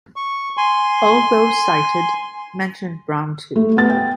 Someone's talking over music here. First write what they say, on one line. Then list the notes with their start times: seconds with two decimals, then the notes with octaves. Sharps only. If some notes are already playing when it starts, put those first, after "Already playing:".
All those cited mention Brown too.
0.16 C#6
0.57 G#5 C6
3.56 A3
3.77 B3 A6
3.89 G5